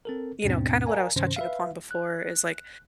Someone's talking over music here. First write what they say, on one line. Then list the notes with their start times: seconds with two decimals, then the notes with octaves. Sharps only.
you know, kinda what I was touching upon before is, like,
0.05 C4 A4 A#4
0.44 D#2 G#2 B2 B3 C4 D4
0.86 A#4 D5 F5 G#5 A#5
1.16 G2 C3 D#3 C#4 C5
1.36 B4 E5 F5
1.91 F#6